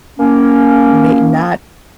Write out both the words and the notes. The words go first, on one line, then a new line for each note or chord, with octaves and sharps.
ma not
A#3 C#4